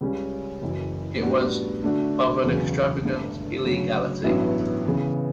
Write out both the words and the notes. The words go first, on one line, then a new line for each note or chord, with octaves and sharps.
It was of an extravagant illegality.
C#2 C#3 G3 C#4
F#1 F#2 E3
A2 G3 B3 D4 F#4
D3 A3 D4 F#4
E1 E2 C#3 F#3 B3
G1 G2 D3 A3
D2 C#3 F#3
A1 G2 F#3 B3 E4
C#3 E3 B3